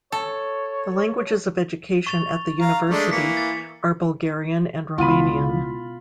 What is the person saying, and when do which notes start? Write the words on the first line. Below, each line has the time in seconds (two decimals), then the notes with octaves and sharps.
The languages of education at the university are Bulgarian and Romanian.
0.12 A4 C#5
2.07 C#6 A6 F7
2.60 F5 A#5
2.90 G#3 A3 D4
3.11 E3 A#3 B6 C#7
3.37 A6
4.98 C#2 B2 B3 E4 F4 F#5 B5 D#7